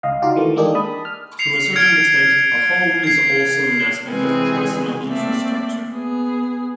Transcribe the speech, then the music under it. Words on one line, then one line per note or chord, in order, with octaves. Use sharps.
To a certain extent, a home is also an aspect of personal infrastructure.
C#2 D#5 F5
D#4 F4 F#4 D5 F5
D#3 E3 A3
G#3 A#3 D4 D#4 G4 G#4
A5 B5 D#6
F6
C7 C#7 F7
F6 G#6 C#7 D7
G#6 C7
C3 E3 G#3 C4 G#4 B4
A3 A#3 C4 D5 E5
B3 G#4